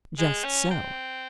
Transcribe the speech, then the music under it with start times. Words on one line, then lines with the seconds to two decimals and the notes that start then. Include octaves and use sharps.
"Just so."
0.19 G#3
0.44 C#4
0.71 C4